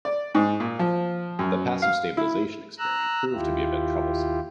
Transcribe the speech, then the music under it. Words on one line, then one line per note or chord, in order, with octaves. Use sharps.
The passive stabilization experiment proved to be a bit troublesome.
D5
G#2
A#2
F3
F#2
F5
E4
A#5 E6 F#6
D#2 E4 F4 G4